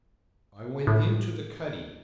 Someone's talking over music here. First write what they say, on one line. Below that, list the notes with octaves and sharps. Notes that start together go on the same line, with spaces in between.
I went into the cuddy.
A2